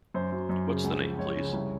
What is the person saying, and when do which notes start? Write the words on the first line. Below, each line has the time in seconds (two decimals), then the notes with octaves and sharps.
What's the name, please?
0.14 F#2 C5
0.32 F#3
0.49 F#2
0.67 C#3
0.84 C#2
1.01 F3
1.18 C#2 C#5
1.36 C#3
1.53 C2